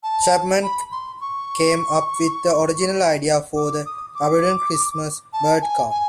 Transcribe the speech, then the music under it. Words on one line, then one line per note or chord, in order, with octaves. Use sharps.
Chapman came up with the original idea for the Audubon Christmas Bird Count.
A5
B5
C6
C#6
D6
D#6
D6
A5
G#5
G#5